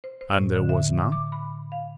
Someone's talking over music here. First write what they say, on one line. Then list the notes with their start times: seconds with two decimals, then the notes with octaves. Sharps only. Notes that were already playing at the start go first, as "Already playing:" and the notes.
"And there was none?"
0.04 C5
0.21 C5
0.37 A2
0.56 D3
0.69 E5
1.12 D6
1.32 B5
1.72 F5